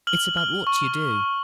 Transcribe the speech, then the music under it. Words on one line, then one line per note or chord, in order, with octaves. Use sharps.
It's about what you do.
F6 F#7
F6
C#6